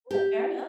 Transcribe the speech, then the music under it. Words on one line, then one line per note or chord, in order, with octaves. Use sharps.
Yeah, fair enough.
G4